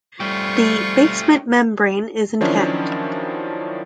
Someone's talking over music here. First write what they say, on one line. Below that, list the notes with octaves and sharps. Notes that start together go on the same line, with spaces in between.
The basement membrane is intact.
G3 A3 F4 G4 C5 C#6
D#3 F3 F#3 C#4 D4 E4